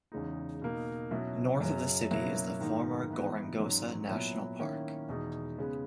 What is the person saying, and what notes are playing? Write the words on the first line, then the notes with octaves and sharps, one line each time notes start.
North of the city is the former Gorongosa national park.
E2 C#3 G#3 D#4
B2 A#3 D#4
B2 F#3 C#4 E4
F#2 C#3 F#3
B2 F#3 A#3 C#4 E4
G#2 D#3 A#3 D#4
G#2 E3 B3 D#4
G#2 F#3 C#4
A#2 F#3 B3 E4
D#3 A#3 C#4 E4
E2 B2 G#3 D#4
C#3 G#3 B3